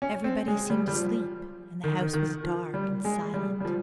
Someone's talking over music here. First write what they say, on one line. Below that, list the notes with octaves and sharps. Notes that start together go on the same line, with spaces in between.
Everybody seemed asleep and the house was dark and silent.
C#4
C4
G#3
G3
G3
F3
D#3
D#3
D#3
F3
G3
G#3
G3
G3
F3